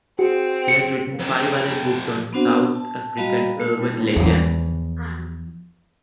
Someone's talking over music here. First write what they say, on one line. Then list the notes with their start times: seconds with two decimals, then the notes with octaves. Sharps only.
He has written five other books on South African urban legends.
0.19 C4 F#4 G#4
0.68 C#7
1.19 F2 G4
2.33 B3 C4 D4 F#4 C5 F#5
2.75 A5
3.17 G3 F#4 D#5 F5 A#5 B5
3.60 A3
4.16 E2 F3